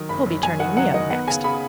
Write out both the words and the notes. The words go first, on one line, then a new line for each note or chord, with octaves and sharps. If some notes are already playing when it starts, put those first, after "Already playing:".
He'll be turning me out next!
Already playing: D#3 F#3
F#1 B5
F#2
F#2 G#5
D#3 F#5
F#3 F#5
D#3 D#5
B3 F#5
C#3 G#5
C#3 B5